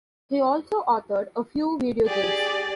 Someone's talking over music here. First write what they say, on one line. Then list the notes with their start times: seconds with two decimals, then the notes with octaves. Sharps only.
He also authored a few video games.
2.07 G4 G#4 D5